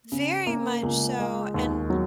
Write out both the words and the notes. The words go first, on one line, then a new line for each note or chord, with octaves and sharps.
Very much so, and
C#3
A#3
C#2
G#3
D#2
F#3